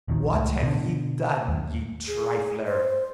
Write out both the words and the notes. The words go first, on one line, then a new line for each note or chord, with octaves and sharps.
"What have ye done, ye trifler?"
A#1 D#2 D#3
C#2 A2
B2 D3
D#2
G#4
C5